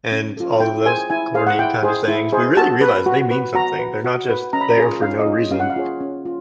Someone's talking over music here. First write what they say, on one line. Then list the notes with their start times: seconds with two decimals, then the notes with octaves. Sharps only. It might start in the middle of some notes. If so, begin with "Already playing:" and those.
and all of those corny kind of sayings, we really realize they mean something. They're not just there for no reason.
0.12 C#4
0.37 F4 A4
0.60 E4 G5
0.86 G#4 C5 G#5
1.10 E4 G#5
1.34 G#4 C5 F5
1.47 F#5
1.59 E4 G5
1.83 G#4 C5
2.08 E4
2.32 G#4 C5
2.57 F#4 A5
2.81 B4
3.06 F#4
3.31 B4
3.55 F#4 A#5
3.79 B4
4.05 F#4
4.29 B4
4.53 C#4 A#5
4.61 B5
4.70 A#5
4.77 F4 G#4 C#5
5.02 C#4 F5
5.19 D#5
5.27 F4 G#4 C#5
5.51 C#4 F5
5.60 F#5
5.70 F5
5.76 F4 G#4 C#5
6.01 C#4
6.25 F4